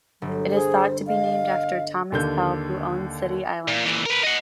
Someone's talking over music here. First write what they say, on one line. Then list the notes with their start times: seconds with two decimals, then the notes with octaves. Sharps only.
It is thought to be named after Thomas Pell who owned City Island.
0.22 G1 F#3
0.51 G#4 C5
1.07 D#5 F5
2.12 D#2 D3 G6
3.68 A#2
3.85 A#2 E3
4.06 A#4 B4
4.23 D#5 F#5